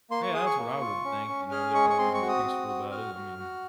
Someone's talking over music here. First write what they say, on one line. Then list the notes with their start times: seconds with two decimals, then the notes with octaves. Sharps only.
Yeah, that's what I would think, you know, they're probably be more peaceful about it, I mean,
0.11 A#3 C6
0.23 C#6
0.34 G#4 D#6
0.46 C#6
0.59 A#3
0.81 F4
1.04 C#4
1.28 C#4
1.52 G#4 F6
1.74 G#3 C#6
1.90 C#6
1.99 C4 C6
2.14 C#6
2.22 F#4
2.29 D#6
2.45 C4
2.68 F#4
2.91 F#4 F6
3.15 F#4
3.39 F#4